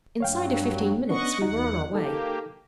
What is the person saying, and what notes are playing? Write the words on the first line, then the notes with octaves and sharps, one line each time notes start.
Inside of fifteen minutes we were on our way.
G2 F#3 C#5 F5 G5
B3 C#4 D4 D#5 F#5 C#6
E2 D#4 F#4 F#5
A#3 D#4 G4 A4